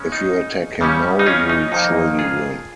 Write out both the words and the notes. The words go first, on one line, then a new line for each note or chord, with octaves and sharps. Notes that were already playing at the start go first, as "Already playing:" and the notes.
If you attack him now, you'll surely win.
Already playing: C#3 G#3 C#4
D#4
C#3 G3 C#4
D#4
C#4 F4
D#4
F2 D#3 A#3 D#4
F4 G#4